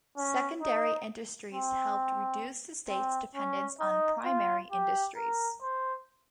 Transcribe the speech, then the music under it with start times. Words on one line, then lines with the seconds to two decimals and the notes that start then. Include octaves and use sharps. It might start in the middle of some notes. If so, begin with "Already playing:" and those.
Secondary industries helped reduce the state's dependence on primary industries.
0.17 C#4
0.61 D#4
1.53 C4
2.89 C4
3.35 C#4
3.80 D#4
4.26 F4
4.71 G4
5.17 A#4
5.62 C5